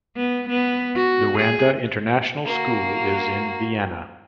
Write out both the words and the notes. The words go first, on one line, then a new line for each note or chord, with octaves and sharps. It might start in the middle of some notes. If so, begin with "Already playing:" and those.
Luanda International School is in Viana.
B3
B3
F#4
G#4
A#3 F#4